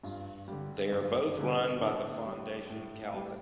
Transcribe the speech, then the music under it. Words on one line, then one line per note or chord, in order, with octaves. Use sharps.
They are both run by the Fondation Calvet.
G2 F4
D3 G3
G2
D3 G3
A2 D4
G3
A2
G3